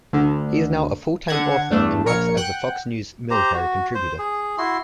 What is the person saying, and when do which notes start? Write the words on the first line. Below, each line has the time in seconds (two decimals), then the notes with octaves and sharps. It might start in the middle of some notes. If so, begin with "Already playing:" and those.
He is now a full-time author, and works as a Fox News military contributor.
0.13 D2 D3
1.28 D3 F#5 G#6
1.71 E2 G2 A3 D4
2.06 A#1 A#4 C#5 C#7
2.37 F#5 G5 F#6
3.31 G4 C5 A#5
3.54 F#4
3.95 C5
4.19 G#4
4.58 E4 F#4 C6